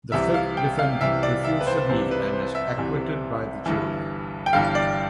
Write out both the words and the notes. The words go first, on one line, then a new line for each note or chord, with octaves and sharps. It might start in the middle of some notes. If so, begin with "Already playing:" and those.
The fifth defendant refused the deal and was acquitted by the jury.
C2 C3 E3 E5
F5
G5
F5
C2 C3 E3 E5
D5
E5
B4
C5
C2 C3 E3 C5
B4
C5
E5
C2 C3 E3
G1 G2 E3
G5
G1 G2 E3 F5
D5